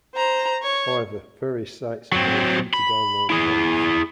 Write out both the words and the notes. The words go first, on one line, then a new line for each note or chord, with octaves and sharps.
However, various sites have made free-to-download fonts.
C5 A#5
C#5
F#3 C4
B5
E4 G#4